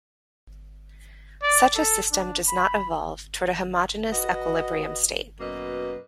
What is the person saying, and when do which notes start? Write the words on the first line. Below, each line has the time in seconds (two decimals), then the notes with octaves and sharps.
Such a system does not evolve toward a homogeneous equilibrium state.
1.43 D5
1.76 A4
2.12 D4
2.48 B5
4.12 F#4 B4 D#5
5.40 F#2 B2 A#3 B4 D#5